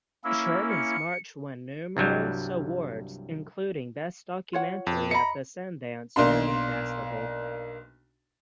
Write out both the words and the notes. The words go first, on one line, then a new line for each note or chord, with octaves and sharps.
"Sherman's March" won numerous awards, including Best Documentary at the Sundance Film Festival.
A#3 C#4 E4 E6
C#7
C2 G2 F#3 G3
F4 C#5 F#5
F2
D#5 E5 A#5 B5 C#7
B1 A#3 D4 C6